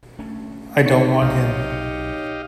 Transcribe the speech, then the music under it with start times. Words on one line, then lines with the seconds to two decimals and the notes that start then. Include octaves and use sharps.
I don't want him.
0.19 A3 C#4 D4
0.85 D#4 C#5 C#7
1.22 B1 G4 D#5 F5